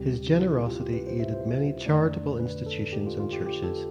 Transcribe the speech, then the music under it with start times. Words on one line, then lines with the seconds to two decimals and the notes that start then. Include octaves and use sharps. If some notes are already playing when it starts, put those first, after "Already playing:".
His generosity aided many charitable institutions and churches.
Already playing: D2 C3 G3 C4 G4
0.27 E4
0.40 F4
0.53 F4
0.68 G4
0.80 G4
0.94 B4
1.07 C5
1.20 E5
1.34 C5
1.86 F2 D3 A3 D4 D5
2.40 B4
2.66 A4
2.93 G4
3.06 F4
3.20 F4
3.33 G4
3.46 G4
3.64 A4